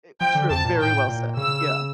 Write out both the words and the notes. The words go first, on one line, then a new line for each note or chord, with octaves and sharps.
I true, very well said. Yeah.
F3 G5
D3
F2 A5
A#2
A2 G5
A#2
C#3 E6